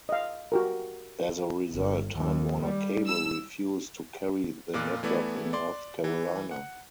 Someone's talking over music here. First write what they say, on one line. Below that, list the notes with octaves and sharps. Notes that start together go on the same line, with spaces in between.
As a result, Time Warner Cable refused to carry the network in North Carolina.
D#5 F5
F#4 G4 A#4
G1
D#2
G3
E6
F2 A#2 F4 D6 F6 F#6
E3 A3 B3 E4 D5
D5 C6
E3
F#5